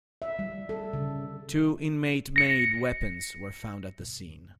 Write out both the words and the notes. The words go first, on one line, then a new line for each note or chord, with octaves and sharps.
Two inmate-made weapons were found at the scene.
E5
G3
A4
C#3
A#6 C#7